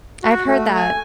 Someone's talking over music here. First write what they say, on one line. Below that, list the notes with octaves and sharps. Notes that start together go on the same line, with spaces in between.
I've heard that.
F#4
A3
G#5